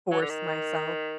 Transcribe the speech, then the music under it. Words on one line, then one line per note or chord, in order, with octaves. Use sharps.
force myself.
F#3
D3
D#3